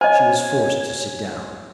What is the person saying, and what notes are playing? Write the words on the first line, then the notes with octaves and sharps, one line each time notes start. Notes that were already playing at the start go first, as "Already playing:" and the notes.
She was forced to sit down.
C5 C#5 D#5 G#5